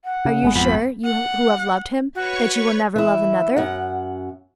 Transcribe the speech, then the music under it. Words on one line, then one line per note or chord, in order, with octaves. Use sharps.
Are you sure, you who have loved him, that you will never love another?
F#5
C#3
G#1 G#3 B3
F2 B5
F#5
F#4 B4 C#5 C#6
E3 E4
F#2 F#5